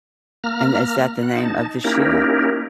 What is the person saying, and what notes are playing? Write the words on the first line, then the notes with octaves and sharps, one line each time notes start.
And is that the name of the ship?
A#3 A#5 F6
F#5
D#4 A5
A#3 C#4 D#4 E4 G4 A#4